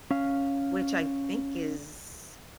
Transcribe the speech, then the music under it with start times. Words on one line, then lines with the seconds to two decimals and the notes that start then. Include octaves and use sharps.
Which I think is
0.11 C#4 F5